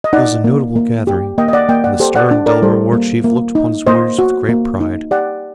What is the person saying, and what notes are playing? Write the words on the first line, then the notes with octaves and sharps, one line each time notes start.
It was a notable gathering, and the stern Delaware war-chief looked upon his warriors with great pride.
D#5
D#4 D5 F#5
A#3
A#3
G4
A#3 D#5 G5
D#5
D5 F#5
A#3 D#5 G5
D5 F#5
G4 A4 C5
D5 F#5
D4
A#4 D5
G3 A4 C5
A#3
A#3
D#4
A#3 C5 D#5
F#4
A#3
D#4
G4 D5 F#5